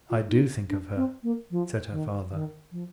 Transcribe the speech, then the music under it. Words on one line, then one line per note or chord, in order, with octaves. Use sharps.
"I do think of her," said her father.
F4
D#4
D4
C4
A#3
F3
D#3
D#3
F3